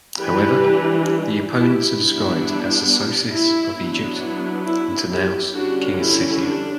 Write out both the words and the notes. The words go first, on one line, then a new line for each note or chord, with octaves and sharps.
However, the opponents are described as Sesosis of Egypt and Tanaus, king of Scythia.
E3 G3 D4 G4 B4
E4 G4
G3 B3 D4 E4
E4
F#3 B3 D4
E4
E4
E4 G4
D3 G3 C#4 D4 F#4
E4
D4